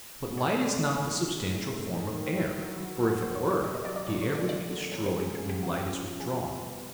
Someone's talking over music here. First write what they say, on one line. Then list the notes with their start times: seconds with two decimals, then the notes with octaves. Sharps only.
But light is not the substantial form of air, for if it were, the air would be destroyed when light is withdrawn.
0.24 G#2
0.38 C#5
0.45 B3
0.59 C#5
0.66 A3 D5
0.87 G#2
1.08 D#4
1.30 G3
1.50 A2
1.73 A3
1.94 D#4
2.15 D#3
2.27 C5
2.36 E4 C#5
2.58 F#3
2.80 F#4
3.01 F#4
3.22 D#3 C5
3.35 C#5
3.43 D#3
3.51 C#5
3.64 G4 D5
3.74 D#5
3.85 F#3 D5
3.96 D5
4.06 A#2 D5
4.21 C#5
4.29 A#3
4.35 D5
4.49 D3 D5
4.70 D3
4.91 E2 C#5
5.06 C5
5.13 G#3
5.20 G#4
5.34 C#3 G#4
5.49 G4
5.56 C#3
5.63 F#4
5.77 C#4 G4
5.98 F3
6.20 E2 G#4
6.42 G3
6.62 B3